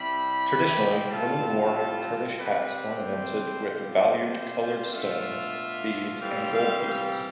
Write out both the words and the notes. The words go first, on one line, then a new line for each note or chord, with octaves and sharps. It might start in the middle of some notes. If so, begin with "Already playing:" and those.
Traditionally women wore Kurdish hats ornamented with valued coloured stones, beads and gold pieces.
Already playing: C3 G3 C4 E4 B5
A2 G3 C4 F4 A5
C3 G3 C4 B4
C5
B2 G3 C4 F4
C5
B2 A3 D4 F4 E5
C3 E3 G3 C4 F5
F5
F5